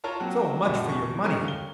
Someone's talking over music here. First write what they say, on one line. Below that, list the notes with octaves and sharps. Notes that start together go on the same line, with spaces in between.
So much for your money!
F4 A#4 C#5 A5 A#5
F#3 A#3 C4 F#4
A#1 F#2 F3 G3 F#4 E5
E2 C#6
D3 G3 C4 C#4 A#4
F5 G7